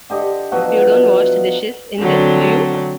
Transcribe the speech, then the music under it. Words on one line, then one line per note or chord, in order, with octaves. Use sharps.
You don't wash the dishes in this, do you?
D3 G4 D#5
B2 F3 F#3 F#4
D3 F#3 A3 C4